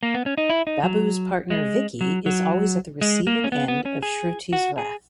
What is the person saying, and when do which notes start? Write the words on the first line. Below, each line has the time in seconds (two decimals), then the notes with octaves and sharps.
Babbu’s partner Vicky is always at the receiving end of Shruti’s wrath.
0.03 A#3
0.14 B3
0.26 C#4
0.38 D#4
0.50 E4
0.67 D#4
0.83 F#3
1.50 G#3
2.01 F#3
2.26 F#3
3.01 G#3
3.27 A#3
3.44 C#4
3.52 B3
3.68 B3
3.85 C#4
4.03 G#4
4.53 F#4
4.78 G#4